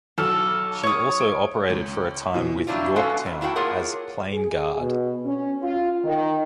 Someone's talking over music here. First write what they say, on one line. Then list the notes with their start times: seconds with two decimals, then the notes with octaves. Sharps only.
She also operated for a time with "Yorktown" as plane guard.
0.18 B1 F#4 A4 F6
0.83 C#5 D#6
1.20 D7
1.70 C#2
2.34 B2 E3 F3
2.67 F#3 G3 D4 E4 F4
2.96 B2 G#3 C#4 F#4 A4 F5
3.26 F2
3.41 A#3 E4 F#4 F5 G5 A5
3.56 A#3 F4 G#4 A#4 C#5 F#5
4.33 G#4
4.78 B2
5.25 C#4
5.62 F4
6.04 D#3